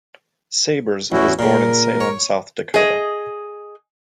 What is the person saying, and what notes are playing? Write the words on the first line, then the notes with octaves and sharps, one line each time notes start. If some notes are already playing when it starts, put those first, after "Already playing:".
Sabers was born in Salem, South Dakota.
A1 E2 C#4 E4 F#4
A#2 C#3 A#4
C#5
G#4 D#5